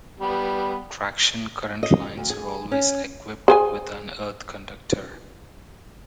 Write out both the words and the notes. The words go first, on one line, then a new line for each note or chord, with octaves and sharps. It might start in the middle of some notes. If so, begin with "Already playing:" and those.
Traction current lines are always equipped with an earth conductor.
G3 B3
D#5
D2
G#4
C#4
G#4 C5 G#5